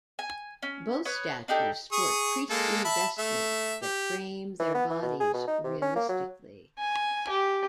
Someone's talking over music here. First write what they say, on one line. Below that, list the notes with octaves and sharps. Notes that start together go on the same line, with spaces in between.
Both statues sport priestly vestments that frame their bodies realistically.
G#5
C#4
B4 C#5 D#6
D4 D#4 G4 A4
G#4 C#6 D#6
G#3 A#3 A4
E5 A5 B5
A3 E5
G4
E3
B3
E3
B2
G#4
B2
D#4
C3
C#4
A#3
F#3
G#5
G4